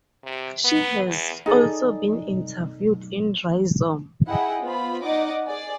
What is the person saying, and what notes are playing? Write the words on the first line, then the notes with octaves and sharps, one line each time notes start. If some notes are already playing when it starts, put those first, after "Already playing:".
She has also been interviewed in Rhizome.
C3
B3
E2
D#4 G#4 A4 D5
E4 G#4 D#5 F#5 G5
B3 F4 C5 B5
D#4 D5 D#5 F#5 D6
G#4 D5